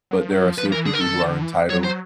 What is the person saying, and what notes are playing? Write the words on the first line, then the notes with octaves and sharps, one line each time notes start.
but there are still people who are entitled,
F#3
F3
F#3
F3
F3 B4
E3 A#4
D3 G#4
A#4
D#3 A4
D3
D#3
D3
E3
F#3 C#5
C5